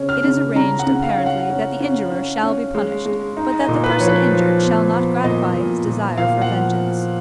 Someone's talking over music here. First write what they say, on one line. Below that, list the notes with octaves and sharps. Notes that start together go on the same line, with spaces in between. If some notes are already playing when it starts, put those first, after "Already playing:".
It is arranged, apparently, that the injurer shall be punished, but that the person injured shall not gratify his desire for vengeance.
Already playing: C#3 C#4
F6
C#3
C#3 A#5
F#5
C#3
F5
C#4
F#5
C#4
C#4
C#4
C#4
G#3
G#3
D#4
D#5
A#2
B4
F3 C#5
B4
F3
B3
B3
A#2 D#5
A#2
A#2
A#2 F5
F#5
F3